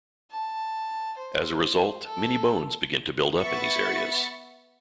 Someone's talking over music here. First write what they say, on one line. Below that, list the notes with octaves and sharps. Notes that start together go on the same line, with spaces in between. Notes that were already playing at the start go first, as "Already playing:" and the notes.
As a result, many bones began to build up in these areas.
A5
C5
A4
B3 E5 B5 C#6 A6